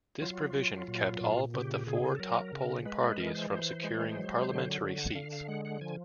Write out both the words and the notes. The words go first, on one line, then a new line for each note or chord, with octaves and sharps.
This provision kept all but the four top-polling parties from securing parliamentary seats.
F#3 F4
F#3
A#2
A#2
C#3 G4
C#3 G#4
A4
F#3 A#4
C#3
G#3 B4
B4
E3 A#4
C5
E3 C5
G#3
F#3
D3
D3
F#5
D3 F5
F5
G#3 F#5
F#5
F3 G#5